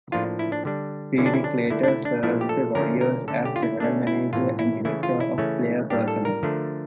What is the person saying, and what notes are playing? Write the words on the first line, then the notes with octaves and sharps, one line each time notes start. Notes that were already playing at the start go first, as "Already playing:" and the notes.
Feerick later served the Warriors as general manager and director of player personnel.
A2 F3 A#3 D4 F4
E4
D4
D3 G3 D4
D3 F3 C#4 E4
D4
E4
D4
D3 A3 D4 E4
D4
E4
D4
A#2 F3 A3 D4 E4
G4
A4
D3 F3 A3 C#4 A#4
A#4
D3 A3 C#4 A4
G4
F4
E4
D3 A3 C#4 D4
E4
A2 E3 A#3 C#4 F4
E4
C#3 E3 A3 C#4 E4
F4
E4
C#3 E3 A3 C#4
A2 G3 A#3 D4 G4
A4
A#4
D3 F3 A3 D4